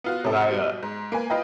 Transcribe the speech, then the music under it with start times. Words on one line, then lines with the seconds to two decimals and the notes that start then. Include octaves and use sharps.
but I, uh,
0.04 B3 F4 F#4
0.24 C3 A4
0.48 B2 G3
0.83 G#2
1.12 A#3 B4 G#5
1.30 F4 B4 D#5 G5